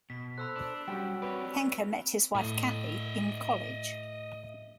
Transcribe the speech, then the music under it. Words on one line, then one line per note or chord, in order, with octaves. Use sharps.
Henke met his wife Kathy in college.
B2 B6
A4 C5 B5 E6 F#6
D4
F#3 G3 C#4 F#4 G4 G5
C4 B4 C#5 D5
A2 D#5 E5